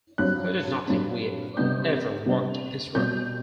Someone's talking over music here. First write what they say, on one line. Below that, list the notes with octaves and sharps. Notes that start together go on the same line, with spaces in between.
He did not think we ever walked this road.
G2 F#3 C4 F#6
G2 F#3 C4
C3 G3 B3 D4 G6
C3 G3 B3 D4
B2 G3 C4 G6